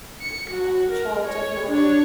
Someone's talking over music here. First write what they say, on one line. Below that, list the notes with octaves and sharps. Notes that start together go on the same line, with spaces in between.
Yeah, and a child, definitely
C#7
F#4
A#4
C#5
D4 C#5